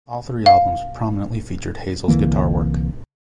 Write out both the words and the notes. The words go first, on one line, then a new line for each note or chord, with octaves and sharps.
All three albums prominently featured Hazel's guitar work.
F5
C2 D3 E3 A#3